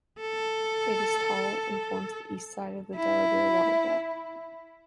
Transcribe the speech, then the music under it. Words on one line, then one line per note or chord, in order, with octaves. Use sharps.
It is tall, and forms the east side of the Delaware Water Gap.
A4
E4